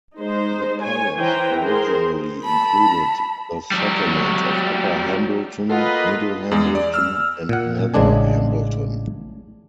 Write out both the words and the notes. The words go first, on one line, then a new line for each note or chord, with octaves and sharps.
The parish originally included the settlements of Upper Hambleton, Middle Hambleton and Nether Hambleton.
G#3 D#4 C5
C#5 G#5
E3 B4 C5 G5 A#5
G#4 A#4 C5 C6
A5 B5
F#3 G3
A#3 F4 A4 B4 D#5 F#5
E2 G#3
D5
E6 F6
A#2 F#5
A1 C#3 G#3 D4 G#5